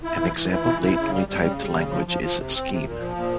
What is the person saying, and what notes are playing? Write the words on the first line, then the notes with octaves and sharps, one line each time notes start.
An example latently typed language is Scheme.
E4
E3
E3
E4
E3
E4
C#3
G3
G3
C#3
G3
C#3
F3
F3
F3
C3
C4
C3
A#2
F3
A#2